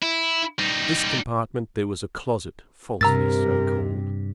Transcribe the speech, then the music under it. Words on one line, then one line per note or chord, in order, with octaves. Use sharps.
To this compartment there was a closet falsely so called.
E4
G3 D#4
G2 C3 A#4 A#5 E6 A6